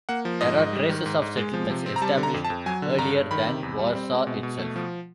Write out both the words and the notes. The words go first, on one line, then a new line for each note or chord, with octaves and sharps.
There are traces of settlements established earlier than Warsaw itself.
A#3 F#5
F3
G#2 D#5
G#2
G3
D#3
G#2
G#2
G#3
F3
C3
C4
A#5
G3 A5
D3
A#5
F2
A5
F2
F#3 G#5
D3
G2 A#5
G2
D#3 B5
C3
E2
G3
C4
G#3
B2
B2
A3
F3